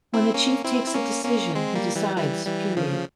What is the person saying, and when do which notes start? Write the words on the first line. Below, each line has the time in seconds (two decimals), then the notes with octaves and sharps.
When a chief takes a decision, he decides - period.
0.14 C4 E4
0.34 A#3 C#4
0.64 C4 E4
0.87 E4
0.94 A#3 C#4
1.25 A#3 C#4
1.55 G#3 C4
1.75 G3 A#3
1.96 E3 G3
2.16 E3 G3
2.46 E3 G3
2.77 C#3 F3